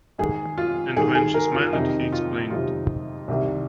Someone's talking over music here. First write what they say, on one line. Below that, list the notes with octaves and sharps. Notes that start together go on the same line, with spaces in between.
And when she smiled he explained.
G#2 D#3 G#4
F4
G#2 D#3 G#4
G#4
A#4
F4
F2 C3 D#3 D#4
F4
F2 C3 D#3 F4
C2 C3 D#3